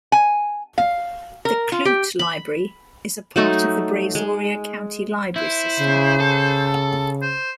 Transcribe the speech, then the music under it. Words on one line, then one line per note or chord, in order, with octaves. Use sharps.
The Clute Library is a part of the Brazoria County Library System.
G#5
F5
A#4
F4
G4
B5
F#3 A3 D#4
G#3
E4 C5
C#3
A4
C5